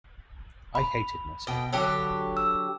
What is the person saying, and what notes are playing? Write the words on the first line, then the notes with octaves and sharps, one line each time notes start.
I hated myself.
B5
B2 G5
D3 F#3 G4
E6